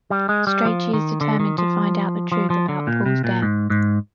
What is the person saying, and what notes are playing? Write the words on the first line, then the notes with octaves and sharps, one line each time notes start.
Strachey is determined to find out the truth about Paul's death.
G3
G#3
G3
F3
D#3
D3
D#3
F3
F3
F3
D3
A#2
C3
A#2
G#2
G#2